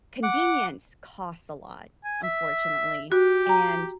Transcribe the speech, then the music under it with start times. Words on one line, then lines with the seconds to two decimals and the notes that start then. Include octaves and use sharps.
convenience costs a lot, unfortunately, and
0.23 F#5 D6
2.05 G#5
2.23 E5
3.12 F#4 G4
3.46 G5 A#5